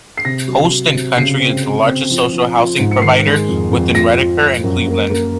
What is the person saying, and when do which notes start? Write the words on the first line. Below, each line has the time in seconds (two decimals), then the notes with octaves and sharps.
Coast and Country is the largest social housing provider within Redcar and Cleveland.
0.17 C7
0.25 C3 A#6
0.48 F#3
0.71 F#3
0.94 C3
1.18 C#3 C7
1.40 C4
1.64 C4
1.86 C4
2.10 F3
2.33 F3
2.56 F3
2.79 G#2
2.91 C#7
3.02 D#3 C7
3.26 G#3
3.49 F2
3.71 F2
3.94 F3 A#6
4.18 F3
4.40 F3
4.64 F#2
4.87 A#3
5.10 A#3